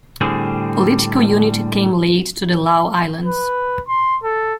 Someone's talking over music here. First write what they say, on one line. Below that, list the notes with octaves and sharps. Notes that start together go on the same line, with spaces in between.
Political unity came late to the Lau Islands.
A2 D3 G3 C4 G#4
B4
C6
A4